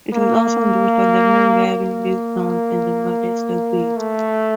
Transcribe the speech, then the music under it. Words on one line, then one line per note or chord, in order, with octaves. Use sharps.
It was also endorsed by governor Gavin Newsom and "The Modesto Bee".
A#3
A#3
A3